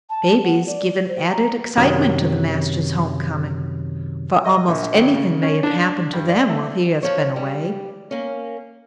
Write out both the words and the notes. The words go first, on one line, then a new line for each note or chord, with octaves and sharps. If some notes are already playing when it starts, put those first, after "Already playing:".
Babies give an added excitement to the master's homecoming, for almost anything may have happened to them while he has been away.
A5
F#5
D5
C5
A#5
F#2 C3 D#3 F#3
D#5
A#1
G#1
C#3
C#4
D4
G2
D5
A3
F3 C#5
G3
A#3 C#4